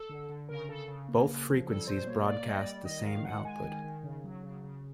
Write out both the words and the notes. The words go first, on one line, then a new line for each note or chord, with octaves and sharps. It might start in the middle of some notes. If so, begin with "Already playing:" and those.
Both frequencies broadcast the same output.
Already playing: A4
D3
D3
C#3 A#4
C#3 A4
C#3
A#3
C#3
F3
G3 A4
B2 C5
A#3 C#5
A#3 D5
G3 D#5
D5
G3
D#3 D#5
D#3 F5
G#3 F#5
G#3 G#5
D#3
D#3
C#3
F#3
C#3
C#3